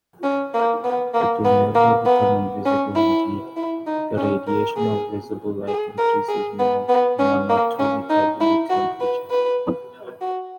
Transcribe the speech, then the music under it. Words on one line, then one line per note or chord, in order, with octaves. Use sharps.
It will never become invisible-indeed, the radiation of visible light increases monotonically with temperature.
C#4
A#3
B3
A#3
B3
A#3
B3
C#4
E4
E4
D#4
C#4
A#4
G#4
G#4
A#4
G#4
B3
B3
C#4
A#3
C#4
D#4
E4
F#4
B4
B4
F#4